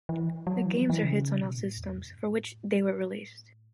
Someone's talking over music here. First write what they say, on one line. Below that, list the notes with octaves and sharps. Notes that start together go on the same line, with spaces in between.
The games were hits on all systems for which they were released.
E3
F#3
E3
F#3
E3
C#3
B2
A2
E2
F#2
A2